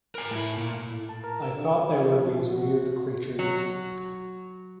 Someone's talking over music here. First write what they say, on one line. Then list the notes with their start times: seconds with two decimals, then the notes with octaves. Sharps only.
I thought they were these weird creatures.
0.15 A#4 G#5
0.31 A2 E4
0.57 A#2
0.90 A2
1.09 A5
1.24 A#4
1.42 E6
1.55 D3
1.95 F3
2.48 F#4
3.39 F#3